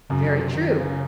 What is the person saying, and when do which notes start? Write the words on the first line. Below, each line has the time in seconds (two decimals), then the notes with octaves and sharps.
Very true.
0.10 F#2 C#3
0.33 C3
0.55 D#3
0.78 C#3